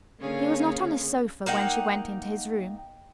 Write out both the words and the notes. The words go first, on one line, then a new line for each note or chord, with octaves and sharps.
He was not on his sofa when she went into his room.
D3 A#3 C#4 G#4 C#5 F5
A#3 D#4 F#5 G5